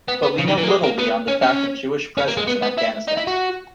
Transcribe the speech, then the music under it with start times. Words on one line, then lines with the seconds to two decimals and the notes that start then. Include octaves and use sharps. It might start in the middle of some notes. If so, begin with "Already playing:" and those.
But we know little beyond the fact of Jewish presence in Afghanistan.
0.08 B3
0.23 B3
0.39 C#3
0.48 D#3
0.58 E3
0.63 A#3
0.68 G#3
0.83 A#3
0.98 B3
1.28 C#4
1.42 C#4
2.17 C#4
2.28 A#3
2.37 G#3
2.47 B3
2.62 B3
2.77 E4
3.08 D#4
3.17 E4
3.27 F#4